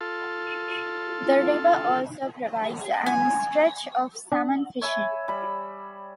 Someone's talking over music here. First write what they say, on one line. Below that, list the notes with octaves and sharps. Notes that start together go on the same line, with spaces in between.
The river also provides an stretch of salmon fishing.
F4 A4
G#5
D4
C#5 E5 G#5 B5
G3 B5